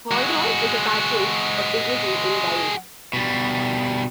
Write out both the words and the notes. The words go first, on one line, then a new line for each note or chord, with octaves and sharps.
Holroyd is a patron of Dignity in Dying.
G#3 F#4
B2 G3